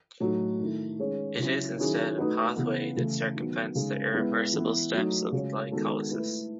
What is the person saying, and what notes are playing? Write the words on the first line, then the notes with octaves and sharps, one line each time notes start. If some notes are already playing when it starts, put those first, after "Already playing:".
It is instead a pathway that circumvents the irreversible steps of glycolysis.
A2 F#3 A3 D#4
D#3 A3 E4
D#3 G#3 C#4 G#4 C#5
C#3 F#3 C#4 E4
D#3 F#3 C#4 E4 G#4
A3 D#4 F#4 B4
C#3 E3 B3
C#3 E3 A3 E4
D#3 F#3 B3
C#3 G#3 D#4
G#3 B3 E4 B4
E3 B3 E4
F#3 A3 D#4
C#3 G#3 C#4 F#4 C#5
D#3 G#3 B3 F#4 A4
A3 E4 B4